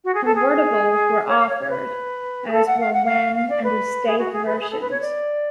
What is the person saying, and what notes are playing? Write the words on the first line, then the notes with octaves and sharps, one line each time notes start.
Convertibles were offered, as were van and estate versions.
F#4
G#4
A4
G#4
C#5
F5
C#5
C#5
B4
G#4
A4
F#5
F5
F#5
F5
F5
D5
B4
G#4
F#4
G#4
B4
G#4
A4
B4
C#5
D5